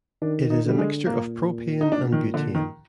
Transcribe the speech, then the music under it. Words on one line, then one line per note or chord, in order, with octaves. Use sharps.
It is a mixture of propane and butane.
D#3 D4
D#4
D3 G3
G#3
A#2 A#3
D#4
A#2 D4
D#3
D3
D#3